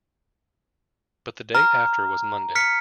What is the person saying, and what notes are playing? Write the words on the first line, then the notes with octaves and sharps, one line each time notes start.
But the day after was Monday.
A#5 F6
F6 B6 C#7